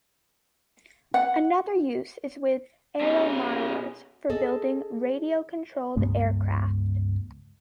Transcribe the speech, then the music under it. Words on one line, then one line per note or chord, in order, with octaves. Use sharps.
Another use is with aero-modellers for building radio-controlled aircraft.
F#5
B2 C#4
G#4 A4 D#5
C#2 G2 G#3 B3